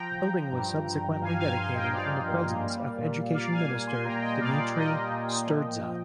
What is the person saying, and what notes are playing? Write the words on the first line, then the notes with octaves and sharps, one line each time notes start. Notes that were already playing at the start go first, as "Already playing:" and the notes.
The building was subsequently dedicated in the presence of Education Minister Dimitrie Sturdza.
Already playing: F3 G5 A#5
F3
G2
G2
G2 F5 G#5
F5 G#5
F3 G#5 C6
D#5 G5
G2 D5 F5
A#3
G3
A#2
A#3 D5 F5
F5 G#5
A#2
G#5 C6
A#2 G5 A#5
D#5 G5
G3 D5 F5
D5 F5
A#2 D#5 G5
A#2
F3